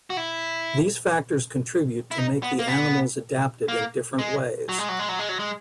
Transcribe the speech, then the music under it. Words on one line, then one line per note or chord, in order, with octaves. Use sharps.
These factors contribute to make the animals adapted in different ways.
F#4
E4
E4
D#4
B3
A#3
B3
A#3
G#3
F#3
G#3
F#3
G#3
F#3
G#3
F#3
G#3